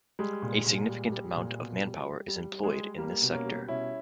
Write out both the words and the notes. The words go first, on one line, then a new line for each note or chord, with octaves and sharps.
A significant amount of manpower is employed in this sector.
G3 G#3
A#2
A#2
G3
G3
A#2
B2
G3
G3
G3
G3
G#3
G3
G3 A#3
B2
A#3 C#4
G3
B2 C#4 E4